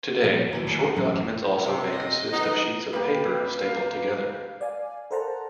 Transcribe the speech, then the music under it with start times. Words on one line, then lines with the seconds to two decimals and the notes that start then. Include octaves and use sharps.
Today, short documents also may consist of sheets of paper stapled together.
0.24 A#1
0.52 D1 D2 E3 F#3
0.67 D1
0.96 A1 F#2
1.64 C3
1.94 D#5
2.33 E3 B3 D#4
2.93 A#3 G4 B4
3.61 F5
4.61 D5 F5 G#5
5.11 A4 A#4 C5 F#5 A5 A#5